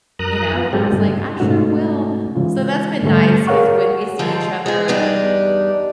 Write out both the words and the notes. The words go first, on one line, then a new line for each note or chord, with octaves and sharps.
you know? And, I was like, "I sure will." So, that's been nice 'cause when we see each other,
F#2 A#4 A#5 D#6 F#6
B3 F4
G#2 F#3 G#3 C4 G4 A4
G2 C#3 G3 A3
G#2 C3 A3 C#4 D#4 F#4
C#3 E3 G#3 F4
G#2 D3 G3 A3
G#4 A#4 C#5 F5 F#5 C#6
G#2 D3 F3 G#3
G#3 G#4
E2 G2 G3 D4 D#4